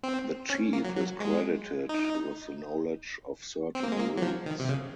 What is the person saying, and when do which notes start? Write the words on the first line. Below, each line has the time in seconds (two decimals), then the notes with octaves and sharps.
The chief is credited with the knowledge of certain roots.
0.03 C4
0.50 C#4
0.73 A#3
0.84 F#3
0.96 F#3
1.20 G#3
1.89 D#4
3.75 C4
3.83 A#3
3.92 G#3
4.00 A#3
4.17 F#3
4.22 F3
4.46 D#3
4.60 C3
4.69 C#3